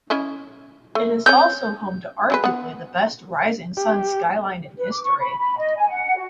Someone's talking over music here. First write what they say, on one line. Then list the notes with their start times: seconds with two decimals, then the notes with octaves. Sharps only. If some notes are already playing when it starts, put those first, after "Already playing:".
It is also home to arguably the best rising sun Skyline in history.
0.10 C#4 E4 D#5
0.95 A3
1.26 C4 C#4 C#5 G6
2.30 F#3 G#3 B4
2.44 B3 F#5
3.77 G4
4.78 B4
4.91 D6
5.03 C#6
5.19 B5
5.37 B5
5.57 D#5
5.76 G#5
5.89 F#5
6.16 F#4